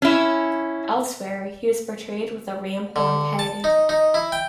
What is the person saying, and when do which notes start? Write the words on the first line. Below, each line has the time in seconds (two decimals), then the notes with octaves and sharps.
Elsewhere he was portrayed with a ram-horned head.
0.02 C#4 E4
2.96 D3
3.39 A5
3.64 D#4
3.89 D#4
4.14 E4
4.32 G5